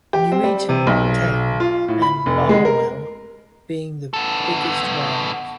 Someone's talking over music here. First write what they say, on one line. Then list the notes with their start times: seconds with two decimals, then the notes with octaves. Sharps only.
Nuneaton Town and Barwell being the biggest rivals.
0.13 G4
0.32 C4
0.43 G3
0.69 C3
0.87 B1
1.60 F4
1.88 A2
2.02 B5
2.26 F1
2.49 G#3
2.65 A#4
4.14 B3 A4